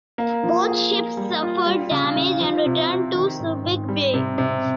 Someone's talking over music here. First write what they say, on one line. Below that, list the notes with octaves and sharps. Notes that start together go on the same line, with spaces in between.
Both ships suffered damage and returned to Subic Bay.
A#3
F3
G#4
A#3
G3
F4
G3
C#3
C#3
F3
C3
C4
D#3
G#2
G#2
G3
C3
C3